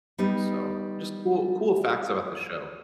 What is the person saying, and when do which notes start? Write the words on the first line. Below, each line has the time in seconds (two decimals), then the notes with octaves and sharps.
So, just cool cool facts about the show.
0.18 G3 B3 D#4